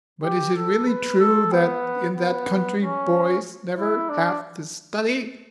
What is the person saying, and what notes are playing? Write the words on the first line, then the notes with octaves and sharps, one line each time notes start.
"But is it really true that in that country boys never have to study?"
G4
A4
B4
A4
B3
B3
C#4
E4
D4